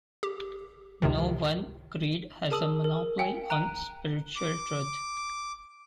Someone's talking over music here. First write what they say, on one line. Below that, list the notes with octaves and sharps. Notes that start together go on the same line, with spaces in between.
No one creed has a monopoly on spiritual truth.
G4
C#2 A2 C3 D#3
G#4 A#4 A5 D#6 E6 F#7
A#4
F5 G5 G#5
A#5 F#6 D7 D#7
D6